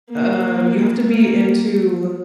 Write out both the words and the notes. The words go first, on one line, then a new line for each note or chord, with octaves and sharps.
um, you have to be into
A#3
A#3